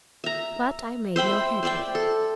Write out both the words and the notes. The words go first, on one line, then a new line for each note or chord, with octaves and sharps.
But I made no headway.
E5 A#5
C5 E5 G5 B5
C5 D5 E5 G5
A4